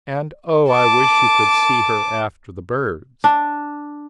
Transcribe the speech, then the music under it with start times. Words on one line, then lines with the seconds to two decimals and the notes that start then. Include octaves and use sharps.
And oh, I wish you could see her after the birds!
0.70 A5 D6
3.24 D4